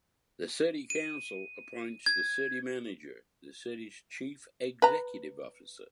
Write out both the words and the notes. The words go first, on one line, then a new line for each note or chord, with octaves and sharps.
The City Council appoints the City Manager, the city's chief executive officer.
D#7
G#6
B4 A#5